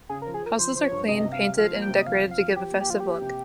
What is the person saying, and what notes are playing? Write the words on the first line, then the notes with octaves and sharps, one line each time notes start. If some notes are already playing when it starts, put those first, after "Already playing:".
Houses are cleaned, painted and decorated to give a festive look.
C#3 G#4
A#4
F3
G#4
F3 A#4
F3 C5
F3 C5
C#5
G2
C3 D#5
C3
F5
G3
F3 F5
A#3
G5
C3
D#5
F2 F5
F2
F5
F2
F3 G4
A#3
G4
F3 F4
G4
A#3
C3